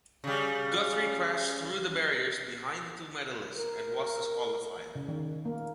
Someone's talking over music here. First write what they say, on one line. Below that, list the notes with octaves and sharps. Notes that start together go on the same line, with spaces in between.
Guthrie crashed through the barriers behind the two medalists and was disqualified.
C#3 G3
A#4
C#3
D#3
A#3